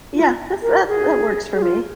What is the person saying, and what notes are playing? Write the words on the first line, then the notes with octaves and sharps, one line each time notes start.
Yeah. That's that that works for me.
F4
A#4
G#4
G#4
F4